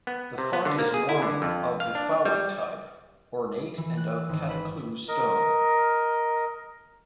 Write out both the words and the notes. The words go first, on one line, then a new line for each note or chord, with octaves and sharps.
The font is Norman, of the Fowey type, ornate and of Catacleuze stone.
B3
C3
B3
D3
A#3
G#4
E4
D3
F2
F5
D4
G3
E3
F#6
E6
G#1
B4
A#4 D#5